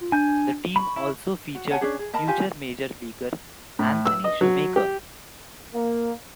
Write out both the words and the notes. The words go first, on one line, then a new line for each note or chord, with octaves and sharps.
The team also featured future major leaguer Anthony Shumaker.
F4
D4 G#5 G6
B5 C#6
E4
F#4
C#5 F#5 G#5 A5
C#4 D4 G#4
G#4
A#4 D#5 A5 B5
F4 G4 G#5
A2
E6
D#5
F#3
G4
A#3